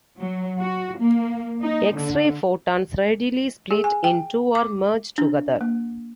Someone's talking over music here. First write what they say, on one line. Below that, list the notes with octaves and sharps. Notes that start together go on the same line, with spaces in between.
X-ray photons readily split in two or merge together.
F#3
F#4
A#3
D#4
D3
G#4
G#5
G5
D6
D4
A#3